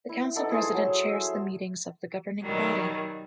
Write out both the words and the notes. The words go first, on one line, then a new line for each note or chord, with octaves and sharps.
The Council President chairs the meetings of the governing body.
E4
B3 D#4 A4 D5
E4 G#4 A4 C5
F#3
C5 E5
B2 D#3 F#3 G3